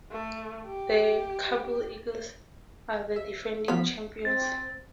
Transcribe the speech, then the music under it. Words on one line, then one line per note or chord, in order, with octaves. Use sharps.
The Kabul Eagles are the defending champions.
A3
G4
E5
F3 B3 F5 B6
C4 A6